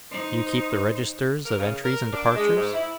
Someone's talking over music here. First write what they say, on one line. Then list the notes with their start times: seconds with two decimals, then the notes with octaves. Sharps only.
"You keep the registers of entries and departures?"
0.11 D#4 C5
1.45 A#4
1.58 C#3
1.84 A#4
2.13 D4
2.36 G#3
2.56 G#2
2.73 E4